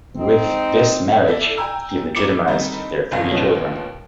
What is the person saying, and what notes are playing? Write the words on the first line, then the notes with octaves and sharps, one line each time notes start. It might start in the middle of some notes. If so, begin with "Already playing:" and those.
With this marriage he legitimized their three children.
G#3 C4 D#4
E4 A4 D5 E5
G5 G#5 A#5 E6
A#3 E4 D6 C#7
D3 D#3 G3 C4 D#4
G1 C2 F#2 C4 F5 A#6
D#2 B2 F3 G#3 C#4